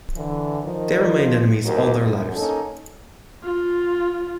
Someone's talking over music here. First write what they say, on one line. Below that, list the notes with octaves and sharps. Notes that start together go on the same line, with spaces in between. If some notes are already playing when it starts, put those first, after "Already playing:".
They remained enemies all their lives.
D3 E3
D#3 F3
D#2 G#2 D#3 F#3 A#3
F#2
A#3 C#4 D#4 A4
F4